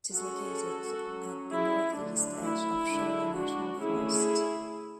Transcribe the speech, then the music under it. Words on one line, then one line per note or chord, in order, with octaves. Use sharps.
It is located at the northeast edge of Shawnee National Forest.
G#3 C#4 F#4 A4
F#3 C#4
E4 G#4
D3 F#3 A3 D4
E4
D3 G#3 D4
D4 F#4
D3 A3 C#4 E4 G#4